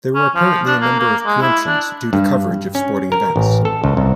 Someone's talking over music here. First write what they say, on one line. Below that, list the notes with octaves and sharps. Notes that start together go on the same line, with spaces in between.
There were apparently a number of preemptions, due to coverage of sporting events.
C#4
F3
D4
A#3
A#3
G#3
E4
D4
G2
C#4
A#4
A1
A4
C#2
C2